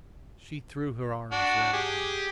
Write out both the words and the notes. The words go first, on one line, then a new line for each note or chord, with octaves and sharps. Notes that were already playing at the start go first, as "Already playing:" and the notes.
She threw her arms round him.
D4 F#4
G4 G#4